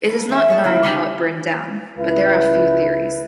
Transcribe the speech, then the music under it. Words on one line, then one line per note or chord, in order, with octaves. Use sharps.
It is not known how it burned down, but there are a few theories.
F2 B4
E2 G#3 E5
G#4 C#5 A5
C#3 F#3 A#3 E4 E5
C#3 G3 B3 D#4 E4
C#2 E4 B4